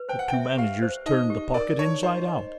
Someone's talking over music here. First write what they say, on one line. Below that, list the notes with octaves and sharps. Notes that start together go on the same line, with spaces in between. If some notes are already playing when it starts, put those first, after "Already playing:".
The two managers turned the pocket inside out.
Already playing: B4
C5 G5
F#5
G5
E5
G4 F5
C5
D#4 D#5
G4
A#4 D5
D#4 C#5
C5 D#5
D#5